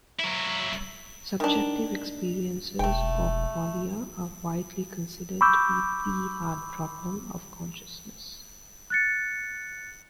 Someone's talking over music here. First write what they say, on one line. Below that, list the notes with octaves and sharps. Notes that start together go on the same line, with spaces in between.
Subjective experiences or qualia are widely considered to be "the" hard problem of consciousness.
F#3 E4
D#3 D4
E1 A3 G5
B5 C#6 D6 E6 G6
F#6 A6 C#7